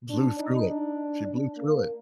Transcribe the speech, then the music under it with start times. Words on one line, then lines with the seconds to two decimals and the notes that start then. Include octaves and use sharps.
Blew through it. She blew through it.
0.10 D4
0.39 D#4
0.70 D4
1.27 D4
1.57 A#3